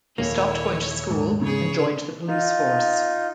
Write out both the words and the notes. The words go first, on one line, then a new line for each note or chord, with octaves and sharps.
He stopped going to school and joined the police force.
D#1 A#3 E4 C#5
G#2
C#3 G#4 C#5
D#4 F4